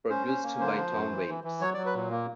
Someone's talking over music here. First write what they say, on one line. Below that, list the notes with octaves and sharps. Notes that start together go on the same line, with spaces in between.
Produced by Tom Waits.
C#4 C5
C#4
A#3
D3 C5
F3
F#2
E3
E3
E3
F#3 C#5
F#3 D5
B4
A#2
A#3